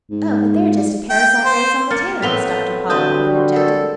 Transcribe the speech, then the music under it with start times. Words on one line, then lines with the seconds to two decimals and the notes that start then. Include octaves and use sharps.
"Oh, but they're just a parasite-race on the Terrans," Dr. Paula Quinton objected.
0.11 G#2
1.10 G5
1.46 C5
1.90 A#3 F6 A6 C#7
2.22 A2 B3 C4 B6 F7 G7
2.90 D3 G3 C4 F#4 B4 A5 D#6 G6
3.56 A4 A#4 D5